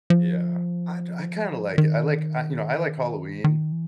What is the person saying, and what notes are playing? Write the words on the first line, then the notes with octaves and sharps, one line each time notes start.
Yeah, I do I kind of like it, I like I you know, I like Halloween.
F3
D3
D#3
D#3
E3